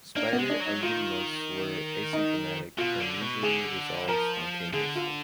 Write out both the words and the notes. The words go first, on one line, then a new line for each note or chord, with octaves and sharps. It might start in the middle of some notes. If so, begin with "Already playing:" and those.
Spider angiomas are asymptomatic and usually resolve spontaneously.
A#3 D4
B3
G#3
D4
F#3
D#4
D#3 F4
D#4
B2 F4
D3
B2
D3 G#4
F3 A#4
D3 G#4
F4